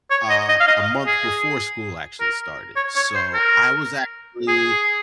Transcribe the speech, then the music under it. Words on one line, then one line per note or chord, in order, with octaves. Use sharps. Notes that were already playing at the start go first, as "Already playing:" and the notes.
uh, a month before school actually started, so I was actually,
C#5
D#5
D#5
F5
D#5
G#4
A#4
C#5
C#5
C5
A#4
G#4